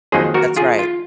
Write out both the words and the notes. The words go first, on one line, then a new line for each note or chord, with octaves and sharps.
That's right.
F2 D#3 F#3 A#3 D#4 G#4 C5
F#4 A#4
F4 G#4
F4